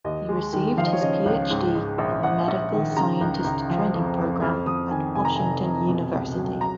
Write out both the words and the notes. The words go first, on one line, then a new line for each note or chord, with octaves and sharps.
He received his PhD in the Medical Scientist Training Program at Washington University.
D#2 D#5
G#3
D#3
F3 F5
D#5
C#5
C#3 D#5
C#2
G#2
G#2
A#1
A#1 F#5
A#1
D#3
C#3 A#5
C#2
C#2
F3
F2
F2
F2 F6
F2 D#6
D#3 G#5
F1 G#5
A#5
F1 G#5
F1
B2
C#2
F#3
A#5